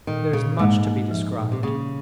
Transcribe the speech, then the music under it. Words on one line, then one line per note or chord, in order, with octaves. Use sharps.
There is much to be described.
A#2 D#3
A#2 C#3
G#2 A#3
A#3
F3
A#2
C3
C#3 A#3